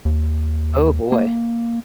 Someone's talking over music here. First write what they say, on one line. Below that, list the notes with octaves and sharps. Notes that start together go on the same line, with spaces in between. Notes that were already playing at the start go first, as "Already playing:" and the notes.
Oh boy.
D#2
A#3